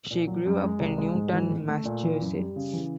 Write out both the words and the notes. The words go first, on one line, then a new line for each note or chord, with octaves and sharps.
She grew up in Newton, Massachusetts.
A#2
F#3
F#2
G#3
C2
G#3
G#2
E3
A1
A3
A#2
E3
F#2
G3
C#3
E3